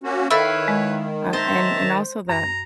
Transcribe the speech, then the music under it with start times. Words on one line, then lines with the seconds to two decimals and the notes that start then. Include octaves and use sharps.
Um, and and also, that
0.04 A#3 C#4 F#4
0.30 D#3 E4 A4 B4 C#5 F5 B5 E6
0.68 G#3
1.33 C5 E5 A5 A#5
2.29 F#2 A#5